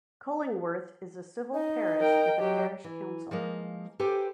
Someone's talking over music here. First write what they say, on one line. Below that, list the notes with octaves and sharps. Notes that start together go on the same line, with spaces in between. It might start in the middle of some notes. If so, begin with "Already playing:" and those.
Cullingworth is a civil parish with a parish council.
D#4 D#5
A#4 G5
F#3 G4
E3
F3 G#3 A#3
G4 A4 B4 C5 G5 G#5